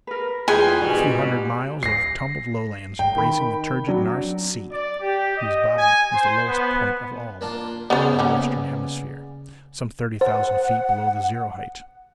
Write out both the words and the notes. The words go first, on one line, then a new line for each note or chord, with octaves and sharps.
A few hundred miles of tumbled Lowlands, embracing the turgid Nares Sea, whose bottom is the lowest point of all the Western Hemisphere--some thirty thousand feet below the zero-height.
A#4 B4
E2 F4 G#4 B4 G5 G#5 C6
G#2 B2 G3 F#4
A#6 C7
G5
D#3 B5
F#3 D4
D5
G4
D#5
G#5
C5
B3
A#3 D4 F4
C#3 B3 C5 D5
A#3 B3 C#4
C5 F#5